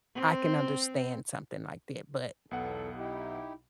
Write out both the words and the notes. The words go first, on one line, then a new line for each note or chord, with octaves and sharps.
I can understand something like that, but
C4 C5
B1 E2 B3 A4 F#5
D#4 E4 G4